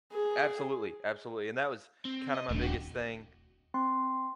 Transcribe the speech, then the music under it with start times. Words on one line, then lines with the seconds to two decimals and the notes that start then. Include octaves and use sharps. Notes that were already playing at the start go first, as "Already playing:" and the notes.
Absolutely, absolutely, and that was kinda my biggest thing,
0.13 G#4
2.05 C4
2.35 D#5
2.50 D#1 A2 D4
2.62 F#4 G4
3.74 C4 C6